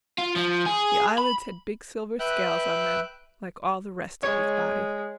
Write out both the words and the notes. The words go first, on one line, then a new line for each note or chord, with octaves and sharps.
The eyelids had big silver scales on them, like all the rest of his body.
F4
F3
G#4
B5
B4 E5 G5 F#6 G6
G#3 C#5